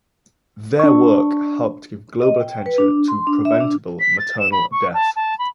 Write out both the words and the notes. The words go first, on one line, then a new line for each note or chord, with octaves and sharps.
Their work helped give global attention to preventable maternal death.
D4 C#6
D#5
G5
G5
B4
D4
C6
D4
E5
D4
B6
A6
E7
B5
C#6
A5
A5
B5